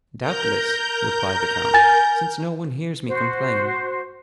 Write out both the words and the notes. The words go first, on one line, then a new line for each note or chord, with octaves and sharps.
"Doubtless," replied the count, "since no one hears me complain."
A#4 A#5 G6
G#5 A6
F#4 C5